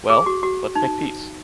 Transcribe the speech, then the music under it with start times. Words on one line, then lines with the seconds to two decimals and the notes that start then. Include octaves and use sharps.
Well! let’s make peace.
0.10 G#4
0.26 F#4
0.43 F#4
0.75 D#4